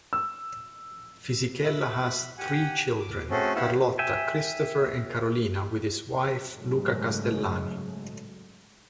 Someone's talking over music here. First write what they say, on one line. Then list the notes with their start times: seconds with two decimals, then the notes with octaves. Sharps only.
Fisichella has three children, Carlotta, Christopher and Carolina, with his wife Luna Castellani.
0.13 E6
1.64 E5 B5
2.38 G4 F#5 G#5
3.00 D6
3.30 A3 C4 C#4 F#4 G#4 A4
3.55 B3 E4 G4 F5 F#5 E6
3.99 E5 G5 G#5
6.53 G#2 C#3 F#3 G#3 A3